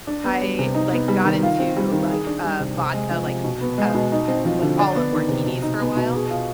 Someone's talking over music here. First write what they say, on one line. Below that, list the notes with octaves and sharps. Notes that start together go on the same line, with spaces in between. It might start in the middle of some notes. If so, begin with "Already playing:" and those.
I, like, got into, like, uh, vodka, like, uh, m like, olive martinis for a while,
D4
B3
G3
C3
D#4
B3
G3
D#3
F4
C4
G3
D#3
G#4
D4
G3
C3
C3
G#3
F3
C3
B2
B3
G#3
B2
D#4
C4
F3
D3
D4
B3
D#3
C3
B2
D#4
B3
B2
G#4
F4